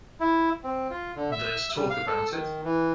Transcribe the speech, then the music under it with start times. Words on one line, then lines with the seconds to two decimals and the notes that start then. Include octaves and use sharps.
There's talk about it.
0.20 E4
0.64 C4
0.90 F4
1.16 D3
1.31 E5
1.76 G3
1.90 F5
2.07 A4
2.32 D#3
2.64 E3